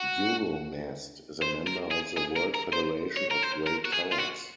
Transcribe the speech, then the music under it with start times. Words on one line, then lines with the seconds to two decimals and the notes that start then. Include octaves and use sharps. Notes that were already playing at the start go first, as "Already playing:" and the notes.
Euromast is a member of the World Federation of Great Towers.
Already playing: F#4
1.42 C5
1.67 A#4
1.91 G#4
2.17 G#4
2.36 A#4
2.55 A#4
2.73 C5
3.17 C#5
3.31 A#4
3.43 C5
3.67 A#4
3.85 F#4
3.92 G#4
4.12 F4
4.18 F#4